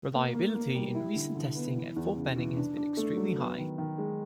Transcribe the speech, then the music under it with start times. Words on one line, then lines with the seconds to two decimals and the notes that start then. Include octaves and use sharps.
Reliability in recent testing at Fort Benning has been extremely high.
0.14 A#3
0.34 A#3
0.55 A#3
0.75 G3
0.95 E4
1.15 D3
1.35 D3
1.55 B3
1.76 E3
1.96 E2
2.16 C#3
2.36 E3
2.57 D4
2.77 D4
2.97 A3
3.17 F#3
3.37 B3
3.58 D#3
3.78 D#3
3.98 G#3